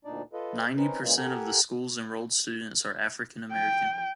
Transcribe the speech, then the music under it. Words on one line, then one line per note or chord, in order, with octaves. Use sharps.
Ninety percent of the school's enrolled students are African-American.
D2 A#2 D4 D#4 D5
F4 A4 B4 D#5
C4 C#4 D#4 A#4 B4
A#2 C#3 E3 G#3 A#3
G4 A4 A#4 F#5 G#5
G5